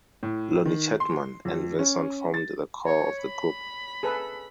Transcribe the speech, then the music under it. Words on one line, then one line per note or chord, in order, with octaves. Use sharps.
Lonnie Chatmon and Vinson formed the core of the group.
A2
D#3
C6
F2
C#4
A6
C#5
B5
G#4 A4 B4